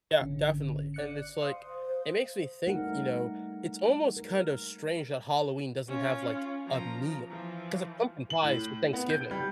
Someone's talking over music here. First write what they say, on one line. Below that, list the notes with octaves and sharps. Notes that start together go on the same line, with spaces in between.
Yeah, definitely, and it's, like it makes me think, you know it's almost kind of strange that Halloween doesn't have, like, a meal, 'cause, uh, pumpkin pie's for Thanksgiving.
G#1 D3 C#4
D5 F#6 C#7
C5 F5 C6 D#6
G3 A3 D#4 A#4 F#5
A#4
C#4 F4
F3 A#5
E3 F3
F#7
A2
B3
G6
G3